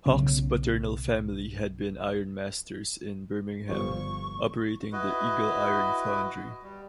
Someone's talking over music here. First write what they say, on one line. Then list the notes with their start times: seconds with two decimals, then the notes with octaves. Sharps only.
Hawkes' paternal family had been ironmasters in Birmingham, operating The Eagle Iron Foundry.
0.06 B1 C#3 C#4
3.69 G1 F3 G3 C#6
4.92 E4 F#4 B4 D#5
6.63 G3